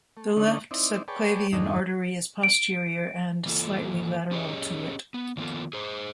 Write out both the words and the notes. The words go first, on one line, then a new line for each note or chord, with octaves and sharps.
The left subclavian artery is posterior and slightly lateral to it.
A3
D3 A3 C#4 D#4
C4 D#4 E4 D5
G#4 B4 C#5 D5 G5 A5
F2 G#2 D#3 A3 D4 D#4
D7
E3 A#3 F4 A4
C#4 G4 G#4 C#5 D#5
B3
D#3 F3 A#3 B3 F4 A4
G#4 C5